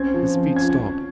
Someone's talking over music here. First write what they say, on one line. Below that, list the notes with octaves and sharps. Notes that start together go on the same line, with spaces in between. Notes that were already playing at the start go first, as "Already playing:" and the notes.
His feet stopped.
Already playing: C4 C#4 G#6
F3
F3
C#4 G#6
C#4